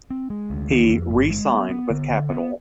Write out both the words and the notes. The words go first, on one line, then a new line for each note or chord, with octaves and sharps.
He re-signed with Capitol.
C4
G#3
D2
D#3
F2
G1
G#3
B3
B3
D3
D3
B3